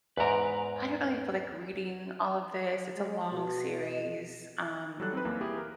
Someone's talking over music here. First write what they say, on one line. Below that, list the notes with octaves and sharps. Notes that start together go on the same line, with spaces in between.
I don't really feel like reading all of this. It's a long series." Um,
E2 G#2 B4 A#5
G#3
B2 F#4
D#5
F#3 G3 A4 F#6
C4 D#4 B4
E2 A#3
E4 G4 G#4
A#4